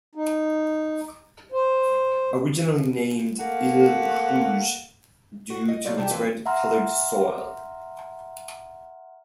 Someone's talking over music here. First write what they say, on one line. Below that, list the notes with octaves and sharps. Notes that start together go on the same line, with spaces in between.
Originally named "Ile Rouge" due to its red coloured soil.
D#4
C5
A3 A#3 F5 F#5
F#4
D#5
D3 F#3 A3 F4 D5
C3 G3 D#4 G4 G#4 A5
F2 E3 C4 F4 B4
E5 F#5 A#5 C6 F6